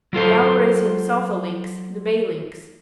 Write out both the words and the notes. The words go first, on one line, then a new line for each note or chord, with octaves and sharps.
Yowler is himself a Lynx, the Bay Lynx.
F#3 F4 A4 C5